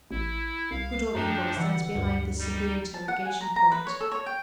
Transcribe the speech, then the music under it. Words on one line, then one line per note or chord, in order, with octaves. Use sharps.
Good or evil stands behind this severe interrogation point.
A1 E4
C2 F5
F#2 F3 D4 D#4 G5 A#5
D3 E3 B4 F#5 E6
D2 G2
G3 D#4
A5
F#5
G#5
A#5
A#5
B4
C#5
A4
C#5
G5